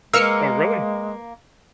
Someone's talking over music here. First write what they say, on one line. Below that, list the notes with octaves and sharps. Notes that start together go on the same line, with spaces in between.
Oh, really?
G#3 A#3 A#4 B4 E6 F6 C#7